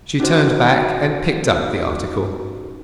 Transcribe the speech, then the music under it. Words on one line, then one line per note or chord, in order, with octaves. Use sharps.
She turned back and picked up the article.
C#4 D#4 F#4 C5